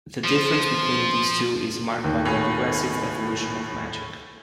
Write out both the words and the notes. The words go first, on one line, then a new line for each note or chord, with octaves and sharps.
The difference between these two is marked by the progressive evolution of Magic.
F3
D#2
A2 C#5 G#5